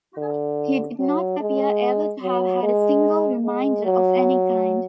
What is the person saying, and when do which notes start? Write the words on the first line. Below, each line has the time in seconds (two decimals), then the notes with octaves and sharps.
He did not appear ever to have had a single reminder of any kind.
0.18 D3
1.00 F#3
1.40 G#3
2.22 F#3
2.63 G#3
3.44 G#3
3.85 F#3